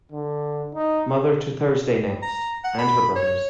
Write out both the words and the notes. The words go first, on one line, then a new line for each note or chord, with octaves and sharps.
Mother to Thursday Next and her brothers.
D3
D#4
A#5
F#5
B5
C#5